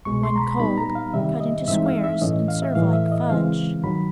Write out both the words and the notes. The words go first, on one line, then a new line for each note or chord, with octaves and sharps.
When cold, cut into squares and serve like fudge.
C2 B2 G#3 C#6
C6
A#5
B5
A#2 G3 B3 D#4 B5
A#5
F5
C3 D#3 G3 E5
D#5
G2 E3 G#3 C4 D#4 E5
F5
E5
A2 E3 A3 C#4 D#5
F5
E5
A2 E3 A3 F5
E5
D#5
C#3 E3 G#3 C4 F5
G2 D#3 F#3 B5